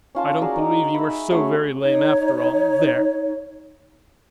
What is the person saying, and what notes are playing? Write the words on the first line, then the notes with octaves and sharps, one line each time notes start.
"I don't believe you were so very lame after all--there!"
C#4 F4 A5
F#4 G#4 A#4 D5
D#4
E5 B5
A3 C#4 F#4 G#4
D#4 C#5